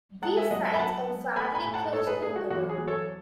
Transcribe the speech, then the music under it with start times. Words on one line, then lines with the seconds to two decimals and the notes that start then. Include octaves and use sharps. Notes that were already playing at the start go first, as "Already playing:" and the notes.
These sites are fairly close together.
0.22 G#3 F#5 A5
0.37 E5 G#5
0.51 F#2 D#5 F#5
0.65 E5 G#5
0.74 B5
0.79 F#2 F#5 A5
1.07 B3
1.36 A3 G#5 B5
1.55 G#5 B5
1.65 A2
1.74 F#5 A5
1.93 A3 A4 C#5
2.07 G#4 B4
2.21 A3 G#4
2.36 F#4
2.50 E2 F#4
2.69 G#4
2.78 F#3
2.88 A4 C#5